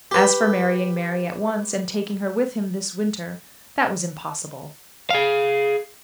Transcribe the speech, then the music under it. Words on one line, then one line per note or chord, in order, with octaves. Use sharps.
As for marrying Mary at once and taking her with him this winter, that was impossible.
G4 B4
G#4 F5